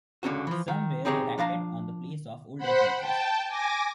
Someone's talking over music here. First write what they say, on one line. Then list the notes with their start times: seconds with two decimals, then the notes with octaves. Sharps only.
Some were erected on the place of older churches.
0.23 C#2 D3 C#4 F#4
0.47 E3 F3
0.68 D#3
1.05 C4 D#4 G4 G#4 C#5
1.38 F3 D4 F5 A#5
2.58 C5 F#5 B5
2.96 G5 A5
3.47 G#5 D6 A#6